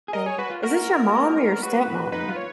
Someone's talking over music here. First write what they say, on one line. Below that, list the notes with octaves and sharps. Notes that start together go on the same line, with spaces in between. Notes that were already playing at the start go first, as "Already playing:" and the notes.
god. Is this your mom or your stepmom?
G#4
A#4 D#5
G#4 C#5
F#4 B4
F4
F#4 A#4
F#4 B4
D#4 B4
F4
C#5